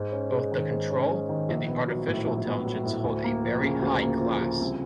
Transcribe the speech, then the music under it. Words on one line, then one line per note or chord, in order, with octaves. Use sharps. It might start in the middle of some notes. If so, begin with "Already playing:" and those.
Both the control and the artificial intelligence hold a very high class.
Already playing: G#2
C#4
G#3
D#3
G#2
C#4
G#3
D#3
A#1
B3
F#3
A2
A#1
B3
F#3
A2
D2
A#3
F3
C#3
D2
A#3
F3
C#3
C2